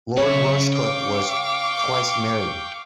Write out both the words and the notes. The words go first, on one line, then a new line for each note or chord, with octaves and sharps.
Lord Rushcliffe was twice married.
F#2 C#3 C#5 E5 C#6
F5 G5 C#6 D6